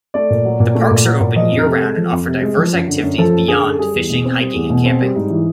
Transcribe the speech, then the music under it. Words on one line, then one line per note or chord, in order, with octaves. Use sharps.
The parks are open year-round and offer diverse activities beyond fishing, hiking and camping.
A3 D5
A#2
F#3
A#2
A3
A#2
F#3
A#2
F3 D#5
F2
A#4
C3 A4
G#3
F3
F2
C3
G#3
F3
F#2
D3
F#2
F3 A4
F#2
D3 G#4
F#2
A4
G3 G#4
E2
B2
C4
G3
E2
B2
C4
G3
G#2
E3